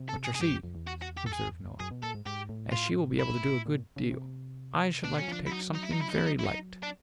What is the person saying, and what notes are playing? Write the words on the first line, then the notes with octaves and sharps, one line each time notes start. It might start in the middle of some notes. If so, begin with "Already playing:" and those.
'But, yer see,' observed Noah, 'as she will be able to do a good deal, I should like to take something very light.'
Already playing: C3
A4
G#4
G#4
G2 G4
F2
F2
E2
F#4
F#4
G4
A4
G#4
F#2 G#4
B2
A#2 A4
G#2
G#2 G4
A2
F4
E4
A#2
C#3
C3
B2 D4
F#3 C#4
F3 D4
E4
F#3 D#4
D#4
E4
D#4
E4
D#4
E4
D#4
E4
D#4
D4